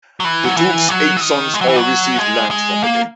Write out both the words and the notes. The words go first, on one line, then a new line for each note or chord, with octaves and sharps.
The duke's eight sons all received land from the king.
F#3
E3
F#3
E3
F#3
E3
D#3
G#3
F#3
E3
F#3
G#3
G#3
A#3